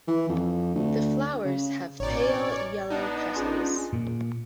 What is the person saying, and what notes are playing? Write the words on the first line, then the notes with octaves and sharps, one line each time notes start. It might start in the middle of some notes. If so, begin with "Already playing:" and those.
The flowers have pale yellow petals.
E3
F2
D2
C#3
A1 B2 C#4 D#4 C#5 D5
B3 D4 D#4 F#5
C#4 F4 G#4
A#2